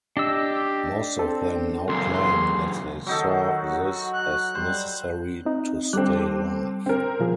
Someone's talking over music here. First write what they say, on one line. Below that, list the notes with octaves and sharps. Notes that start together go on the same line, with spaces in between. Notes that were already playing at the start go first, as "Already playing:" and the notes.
Most of them now claim that they saw this as necessary to stay alive.
D4 G4 D#5 E6
C4 A4
C#2 F#2 C6
D#3 F#3 D#4 F#4 A4
F#4
F#6
G3 C5
C4 D#4
G3 C4 A4 D6 F#6
C4 A#4
B2 F3 G#4